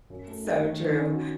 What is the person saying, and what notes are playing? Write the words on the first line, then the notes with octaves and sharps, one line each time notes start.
So true.
F#2
A3
D#4
D#3
D#3
C#4
F#4